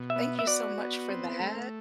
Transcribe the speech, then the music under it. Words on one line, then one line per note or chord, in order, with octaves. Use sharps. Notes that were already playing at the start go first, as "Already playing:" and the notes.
thank you so much for that.
Already playing: B2
E5
B3
E5
F#4 D5
B3
C4
A3